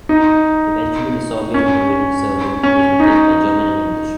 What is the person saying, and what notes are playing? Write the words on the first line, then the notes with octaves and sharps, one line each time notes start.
Eventually, the Sorbian language in Serbin was replaced by German and English.
D#4
C#4
C#4
D#4